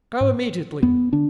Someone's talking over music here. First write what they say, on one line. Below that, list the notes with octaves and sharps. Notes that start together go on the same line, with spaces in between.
Go immediately.
G#2
F2 B3
D3 D4